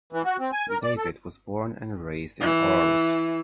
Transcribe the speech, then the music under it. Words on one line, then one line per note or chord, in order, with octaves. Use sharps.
David was born and raised in Arles.
E3
F#4
C4
G#5
A#4
D5
A4
E3